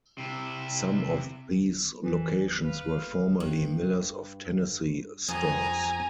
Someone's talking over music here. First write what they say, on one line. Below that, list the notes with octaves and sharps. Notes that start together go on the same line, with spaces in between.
Some of these locations were formerly Miller's of Tennessee stores.
C3 E4
E3
B4 F5
G2
F2 D#5 G#5 A#5